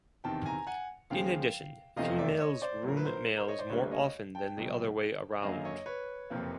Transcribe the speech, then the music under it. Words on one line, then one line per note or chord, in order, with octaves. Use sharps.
In addition, females groom males more often than the other way around.
E2 C3 D#3 G5 A5
G#5 A#5
F#5 G#5
D#2 C#3 F3 G#3 F5 G5
F1 E2 C3 F3 A3 D#5 F5
D5 E5
C#5 D#5
C5 D5
A#1 A2 F#3 A#4
B4
A#4 C5
A#4 C5
C#5 D#5
C5 D5
D2 D3 G3 A#3 B4 C#5
C#5 D#5
G5 A5
C#2 B2 F#3
F#2 D3 F#3 A#3 D#5 F5
C#5 D#5
B4 C#5
F#1 F2 C3 F3 A#3